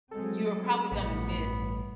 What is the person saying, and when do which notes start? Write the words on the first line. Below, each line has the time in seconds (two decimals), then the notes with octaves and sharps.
you're probably gonna miss
0.11 F#3 G#3 C4 A4
0.92 A1 G2 B2 G3 B3